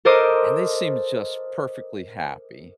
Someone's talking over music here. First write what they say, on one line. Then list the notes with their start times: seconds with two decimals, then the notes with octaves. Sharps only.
and they seemed just perfectly happy
0.05 A4 A#4 C5 D#5 D6 D#6